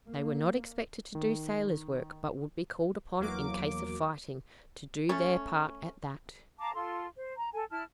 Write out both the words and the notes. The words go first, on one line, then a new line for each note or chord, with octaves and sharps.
They were not expected to do sailor's work, but would be called upon in case of fighting to do their part at that.
A#3
D#3
E2 F#3 A#3 D6
A3 C#4
F5 A5 A#5 D6
F4 A4 C6
C5
A#5
A4 G#5
E4 A5 F6